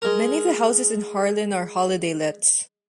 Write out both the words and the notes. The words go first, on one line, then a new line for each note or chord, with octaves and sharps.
Many of the houses in Harlyn are holiday lets.
G#3 A#4